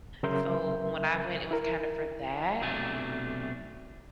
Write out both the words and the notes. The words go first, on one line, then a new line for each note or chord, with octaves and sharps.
So when I went, it was kinda for that.
C#3 F#3 A#4 E5 C6 G6
E4 A#4
B1 C3 F#3 A3 D4 G#5